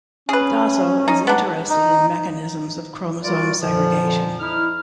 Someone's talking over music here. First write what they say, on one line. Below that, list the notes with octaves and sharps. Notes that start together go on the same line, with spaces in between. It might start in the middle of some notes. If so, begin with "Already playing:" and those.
Dasso is interested in mechanisms of chromosome segregation.
C#4 G#4 B4
D#4
B3 D4
D#4
E3 G3 F4 F#4 A#4 D5
F2 A#2 D3 F3
D#4 E4 F6